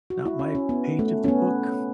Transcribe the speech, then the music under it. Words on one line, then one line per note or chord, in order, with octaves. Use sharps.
not my page of the book.
F#4
E4
C#4
C#4
B3
A3
C#4
B3